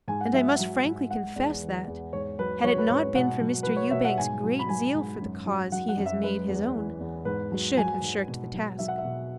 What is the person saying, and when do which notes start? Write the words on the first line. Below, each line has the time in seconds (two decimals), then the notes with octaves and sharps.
And I must frankly confess that, had it not been for Mr. Ewbank's great zeal for the cause he has made his own, I should have shirked the task.
0.08 G#2 G#5
0.21 F#5
0.33 F#3 E5
0.48 F#5
0.60 F#3
0.85 G#2
1.10 G#3 F#5
1.36 E2
1.62 E3
1.87 E2
2.13 G#2 C#5
2.39 F#3 B4
2.64 F#3 C#5
2.78 B4
2.90 G#2 C#5
3.15 B2 F#5
3.41 F#3
3.63 F#3 B4
3.76 C#5
3.91 B2 E5
4.05 F#5
4.18 G#2 G#5
4.43 F#3
4.59 B5
4.69 F#3 G#5
4.95 G#2
5.21 F#2
5.46 F#3
5.72 F#3 F#5
5.89 F#5
5.97 F#2
6.06 E5
6.23 G#3 B4
6.48 E2
6.74 E3
7.00 E2
7.25 G#2 B4
7.52 F#3
7.77 F#3 G#5
8.02 G#2
8.28 B2
8.54 F#3
8.79 F#3 E5
8.88 F#5
8.98 E5
9.04 B2